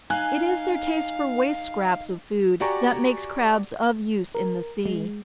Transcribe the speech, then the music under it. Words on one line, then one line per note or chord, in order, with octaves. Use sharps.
It is their taste for waste scraps of food that makes crabs of use in the sea.
D#4 F5 G#5 F#6
F#4 G4 D5 G#5 A#5 C#6
A#4
G#3